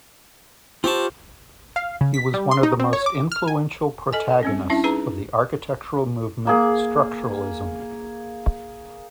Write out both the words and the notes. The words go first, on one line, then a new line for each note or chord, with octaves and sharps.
He was one of the most influential protagonists of the architectural movement Structuralism.
C4 F4 G4 A5 C#6
F5
C#3
B6
G3
C6
D#4
C4
C#5
D6
F6
G#5
A4 D#5 G#5
G3 C4 C#4
C#4 D4 E4 E5
D#4 G#4 B4 A#5
A#3 G#4